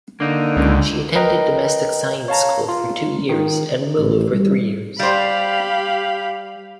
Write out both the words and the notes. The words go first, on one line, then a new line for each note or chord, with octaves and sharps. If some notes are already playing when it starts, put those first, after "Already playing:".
She attended domestic science school for two years and Mulo for three years.
D3 A#3 D#4
C#2
A#4 B4 D#5 G5 A#5
C#5 F5 A5 A#5
F4
D#3
A1
G3
G3 G4 C5 F5 B5